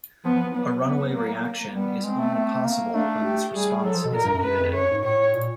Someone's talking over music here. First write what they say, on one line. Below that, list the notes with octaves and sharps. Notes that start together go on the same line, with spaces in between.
A runaway reaction is only possible when this response is inhibited.
F3 B3
F3
F3
F#3 B3
B3
A#3
A#3
G3 B3
G#3 C4
A3
A3
A#3
A3 D4
G4
G3 G#4
F#3 A4
F3
B2
A#2 A#4
G2
F#2
F#2 B4
F2
F#2 C#5
G#2
A2 C#5
A#2